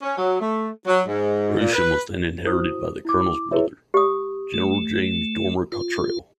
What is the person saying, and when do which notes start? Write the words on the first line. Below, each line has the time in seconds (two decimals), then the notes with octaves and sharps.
Rousham was then inherited by the Colonel's brother, General James Dormer-Cottrell.
0.02 C#4
0.18 F#3
0.41 A3
0.87 F#3
1.07 G#2
1.59 A#2
1.73 B4
2.45 E4 F#4 C5 D#6
3.05 E4 D6
3.51 E4 G#4 B4 C#5 E5
3.94 G4 D#6
4.54 A3
5.72 F4